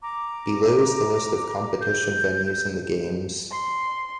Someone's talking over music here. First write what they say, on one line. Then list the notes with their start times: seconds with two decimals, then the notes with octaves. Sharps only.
Below is the list of competition venues in the Games.
0.02 A#5 D6
1.81 G6
3.52 C6